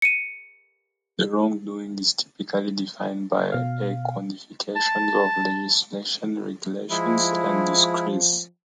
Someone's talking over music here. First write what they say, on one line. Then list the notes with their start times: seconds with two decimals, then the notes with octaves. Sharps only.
The wrongdoing is typically defined by a codification of legislation, regulations, and decrees.
0.02 C#7 D#7
3.52 B2 F5
4.76 A5
6.90 F3 G#3 E4